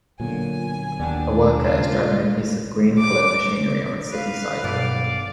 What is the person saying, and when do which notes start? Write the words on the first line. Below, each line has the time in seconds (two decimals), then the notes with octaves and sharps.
A worker is driving a piece of green colored machinery on a city sidewalk.
0.20 A#2 D3 F#3 B3 G#5
1.00 D#2 D4 D5 F#5 G5
1.64 A#2 C#3 G#3 F4
2.99 D6
4.11 B4 F5
4.64 B1 G2 D5